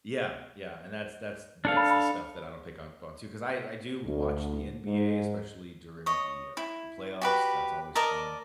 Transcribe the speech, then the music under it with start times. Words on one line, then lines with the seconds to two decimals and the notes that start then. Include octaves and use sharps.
Yeah, yeah, and that's that's that's the stuff that I don't pick on pon to, ‘cause I I do watch the NBA, especially during the, uh, the playoffs, that's always fun.
1.65 D4 A4 F5
1.77 B5
1.91 B5
4.06 D2
4.85 G#2
6.06 C#5 D#5
6.57 E4
7.21 F#4 G4 B4
7.95 A#4 D5 D#5 A5